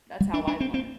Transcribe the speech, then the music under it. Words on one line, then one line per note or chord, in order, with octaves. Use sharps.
that's how I learned.
G3
D4
D4
C4
C4